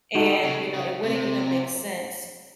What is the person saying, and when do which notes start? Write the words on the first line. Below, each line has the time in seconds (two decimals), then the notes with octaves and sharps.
and, you know, it wouldn't even make sense
0.15 D#4 F#4 A4
0.44 C#3
0.74 C#3
1.03 C3